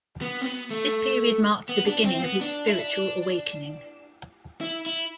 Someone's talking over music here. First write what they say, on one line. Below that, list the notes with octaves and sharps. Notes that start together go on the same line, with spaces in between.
This period marked the beginning of his spiritual awakening.
B3
C4
B3
A3
B3
D4
C4
C4
B3
D4
E4
D4
E4
E4